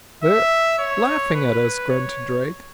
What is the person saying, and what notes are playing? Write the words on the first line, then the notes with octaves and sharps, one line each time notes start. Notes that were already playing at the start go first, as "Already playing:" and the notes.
"They're--laughing at us!" grunted Drake.
E5
C#5
B4
C#5